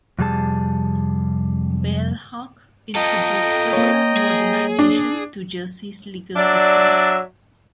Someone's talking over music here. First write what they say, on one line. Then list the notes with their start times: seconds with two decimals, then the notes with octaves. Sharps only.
Bailhache introduced several modernizations to Jersey's legal system.
0.19 F2 C3 G3 G#4 A5
2.96 F4 A4 D#5 G5 A#5
3.73 A#3 C#5
4.17 G#4
4.79 D4
6.37 F#3 D4 D5 E5